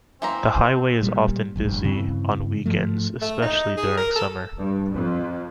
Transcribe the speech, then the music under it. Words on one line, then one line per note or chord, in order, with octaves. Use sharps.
The highway is often busy on weekends, especially during summer.
E3 A#3 C4 C5 A#5
A#2 G3
F1 A#1 G2
G2 C#3 E3 C4
G#2 F3 A3
A3
D#4
G#4
A#4
A4
G2
F2